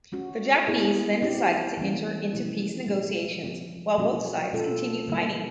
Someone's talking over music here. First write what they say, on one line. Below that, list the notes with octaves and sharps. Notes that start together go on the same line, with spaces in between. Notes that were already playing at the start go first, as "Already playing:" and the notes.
The Japanese then decided to enter into peace negotiations, while both sides continued fighting.
G#3 C#4 F#4
B3 E4 G#4
C4 E4 G4
E3 G3 A#3 C#4
C3 F3 A3 C#4 E4
A#2 G3 A#3 C#4
F3 G#3 C4
B2 F#3 A#3 C#4 F#4
B2 G#3 C#4 F4 A4
D3 G3 A#3